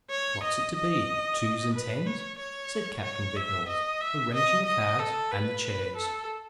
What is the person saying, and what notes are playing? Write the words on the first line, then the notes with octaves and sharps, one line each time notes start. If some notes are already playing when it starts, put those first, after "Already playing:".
"What's it to be:--twos and tens?" said Captain Vignolles, arranging the cards and the chairs.
C#5
D#5
D#5
B4
C#5
C#5
C#5
E5
D#5
E5
D#5
D#5
A4
B4
B4
A4